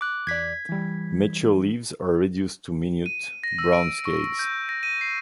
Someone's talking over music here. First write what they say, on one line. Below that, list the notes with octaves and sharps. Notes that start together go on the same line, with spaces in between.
Mature leaves are reduced to minute, brown scales.
D6 F#6
E2 D5 G#6 B6
E3 G3
D#7
A#6
E6
D7
C#6
G6
A#6
D#7
C7